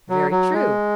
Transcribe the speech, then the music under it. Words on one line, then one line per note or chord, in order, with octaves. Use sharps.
Very true.
F#3
F#3
G#3